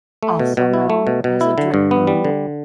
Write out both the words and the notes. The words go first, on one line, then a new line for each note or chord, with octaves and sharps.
Also known as a drip pan.
A3
B2
B2
E4
A3
B2
B2
E4
D3
G2
B3
G3
D3